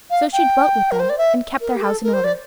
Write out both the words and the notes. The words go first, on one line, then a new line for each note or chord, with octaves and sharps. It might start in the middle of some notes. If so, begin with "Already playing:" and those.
So she dwelt with them, and kept their house in order.
F5
G5
A#4
C5
D5
E5
A#4
G4
A4
A#4
C5
D5